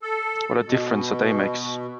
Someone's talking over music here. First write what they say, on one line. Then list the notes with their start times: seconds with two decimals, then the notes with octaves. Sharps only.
What a Diff'rence a Day Makes!
0.02 A4
0.67 B2